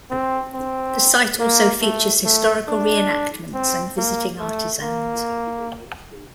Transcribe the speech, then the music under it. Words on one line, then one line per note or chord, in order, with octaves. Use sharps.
The site also features historical re-enactments and visiting artisans.
C4
C4
A#3
A3
A3
D4
C4
A#3
A3
A#3